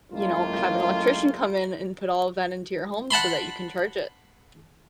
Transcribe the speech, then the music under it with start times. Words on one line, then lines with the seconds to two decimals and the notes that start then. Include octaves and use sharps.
you know, have an electrician come in and put all of that into your home so that you can charge it
0.12 F#2 A2 G#3 A#3 F4
3.11 F#5 A5 B5 C6